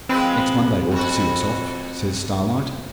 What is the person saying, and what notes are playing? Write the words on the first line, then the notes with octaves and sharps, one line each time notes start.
'Next Monday ought to see us off,' says Starlight.
F3 G#3 C4 B4
F2 F#4